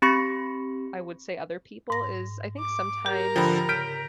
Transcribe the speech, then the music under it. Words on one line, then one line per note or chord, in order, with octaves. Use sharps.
I would say other people is I think sometimes
C4 G4 B5 C#6 A#6 C#7
G#2 A#6
D6
G4 A#4
D3 F3 G5 B5
C#3 G6 B6 D7